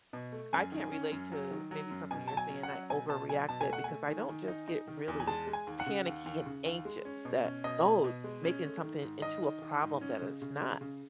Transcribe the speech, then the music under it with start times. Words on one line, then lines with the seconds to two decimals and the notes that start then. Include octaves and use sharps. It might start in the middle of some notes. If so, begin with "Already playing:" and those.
I can't relate to maybe something you're saying I overreacted because I don't just get really panicky and anxious that, "Oh, making something into a problem that it's not."
0.13 B2
0.32 A3
0.53 F#2 G#5
0.72 D#3
0.92 C#4
1.12 F#2
1.32 F#3
1.51 D#3
1.71 F#3
1.91 F#2
2.11 B2 G#5
2.28 F#3 A5
2.37 G#5
2.50 C#4
2.63 F#5
2.70 F#3
2.90 B2 G#5
3.10 B2 A5
3.29 F#3 G#5
3.49 B2 A5
3.61 G#5
3.69 A3 F#5
3.84 A3 G#5
4.08 D#3
4.29 D#3
4.48 D#4
4.68 D#4
4.88 D#3
5.08 E2
5.20 G#5
5.27 G#3 A5
5.47 G#3
5.53 G#5
5.67 D#2
5.80 F#5
5.86 C#3
6.06 D#2
6.26 D#2
6.46 C#3
6.66 D#2
6.85 G#3
7.05 C#4
7.25 B2
7.45 C#4
7.64 B2 D#5
7.85 B2
8.04 B2
8.24 G#3
8.44 C#4
8.63 A3
8.83 D#3
9.02 G#2
9.22 D#3 D#5
9.42 D#3
9.62 D#3
9.82 G#2
10.01 C#4
10.22 C#3
10.42 C#3
10.61 C#3
10.81 C#3